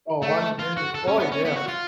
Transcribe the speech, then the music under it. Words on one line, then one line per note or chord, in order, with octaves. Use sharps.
Oh, washing dishes. Oh, yeah.
A3
F4
F#4
A4
C#4
B3
C#4
B3
F#4
F4